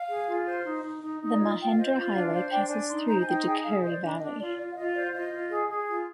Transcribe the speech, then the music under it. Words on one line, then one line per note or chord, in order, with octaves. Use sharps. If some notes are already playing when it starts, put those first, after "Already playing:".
The Mahendra Highway passes through the Deukhuri Valley.
Already playing: F5
G#4
F4
C5
D#4
D#4
D#4
D#4
D5
F4 D#5
F4 G5
F5
C5 D#5
F4
D4 F5
C5 F5
D4 G5
D4 G#5
D#4 C6
C5 A#5
G#5
D#4 G5
G#4 G5
G#4 F5
C5 D#5
D5
D4
D#5
D4
F4 D5
F4 D5
F5
F4 D#5
C5 D5
F4 D#5
F4
G#4
G#4
F4